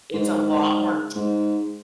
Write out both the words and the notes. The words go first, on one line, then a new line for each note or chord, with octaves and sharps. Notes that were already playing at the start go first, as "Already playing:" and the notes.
It's a lot more
G#2
G#2